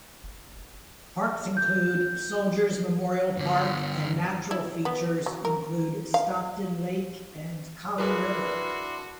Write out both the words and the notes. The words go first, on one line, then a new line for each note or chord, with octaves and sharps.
Parks include Soldier's Memorial Park and natural features include Stockton Lake and Collie River.
F#1
G6
G2 D3
E4
B3
F#3
A#4
F5
D4 E4 F#4 G#4 A#4 B4 C6